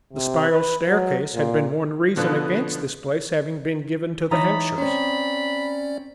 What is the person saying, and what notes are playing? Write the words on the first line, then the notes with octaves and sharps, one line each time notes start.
The spiral staircase had been one reason against this place having been given to the Hampshires.
C3
B4
F#3
A#2
B2 D3 F3 B3
E3 D#4 C#5 A#5 B5 D#6 A6
C4 C#4 C#5 D5 B5